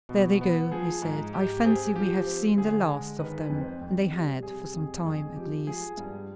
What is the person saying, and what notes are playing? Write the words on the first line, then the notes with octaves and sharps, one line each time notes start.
"There they go," he said; "I fancy we have seen the last of them." And they had, for some time at least.
B2
B3
F3 G#4
G#2
G#2 G4
G4
C4 G#4
F3 G4
C4
D3 G#4
G#3
D#3 B4
G#4
B4
F2
C5
F2
G3
C3 G#4
F2 G#4
F2 G#4
F3 G4
F3 G#4
G2